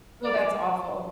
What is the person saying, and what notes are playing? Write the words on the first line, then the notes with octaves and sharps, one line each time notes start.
Oh, that's awful.
D5